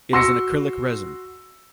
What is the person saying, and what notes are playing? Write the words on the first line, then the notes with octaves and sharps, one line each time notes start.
It is an acrylic resin.
F#4 C6 E6 A#6 C#7